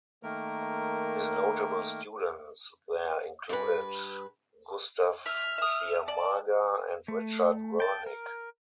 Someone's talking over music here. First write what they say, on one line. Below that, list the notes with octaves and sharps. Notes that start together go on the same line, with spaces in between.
His notable students there included Gustav Ciamaga and Richard Wernick.
D#3 A3 A#3 A#4
G2 B4
E5 F6
E5 D#6
D5 A5
A3
G5 A5
A#4